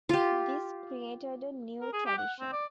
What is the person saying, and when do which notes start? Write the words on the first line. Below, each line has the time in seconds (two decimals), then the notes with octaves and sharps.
This created a new tradition.
0.09 F4 G4
1.81 A#4
1.93 G#4
2.06 G4
2.18 F#5
2.40 C4
2.53 D5